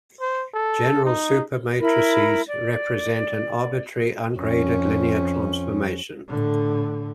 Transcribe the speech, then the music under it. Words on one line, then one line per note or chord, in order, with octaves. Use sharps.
General supermatrices represent an arbitrary ungraded linear transformation.
C5
A4
D#4
E4 A#4 B5
D5
F2 C#4
A2 D3